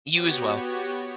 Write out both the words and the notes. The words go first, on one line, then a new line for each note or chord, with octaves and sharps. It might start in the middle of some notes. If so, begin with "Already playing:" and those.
You as well.
B3 F#4 G4 C#5